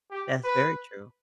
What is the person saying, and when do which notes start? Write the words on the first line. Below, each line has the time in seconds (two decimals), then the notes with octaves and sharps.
That's very true.
0.11 G4
0.44 B4